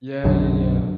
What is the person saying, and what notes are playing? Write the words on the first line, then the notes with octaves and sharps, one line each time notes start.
Yeah, yeah, yeah.
B1 F#2 D3